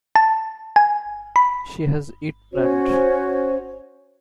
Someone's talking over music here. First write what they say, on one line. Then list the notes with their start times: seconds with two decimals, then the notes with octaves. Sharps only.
She has it planned.
0.16 A5
0.76 G#5
1.36 B5
2.52 C#4 F#4 C5 C#5